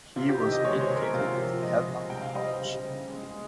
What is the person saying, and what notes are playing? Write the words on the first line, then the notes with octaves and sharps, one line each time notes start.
He was educated at Eltham College.
C3 F4
G4
D#3 G4
D#5
G#3 C#5
C5
C3
A#4
C3 F4
F3
G#3 D#5
C3
G3 G5
F5
G3 D#5
C5
C#3
C#3
G#3
G#3